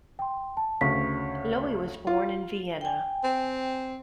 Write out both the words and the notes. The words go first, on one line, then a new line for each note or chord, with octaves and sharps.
Loewy was born in Vienna.
G5 C6
A5
D2 C#3 C#6 B6
F4
G5 G#5
C4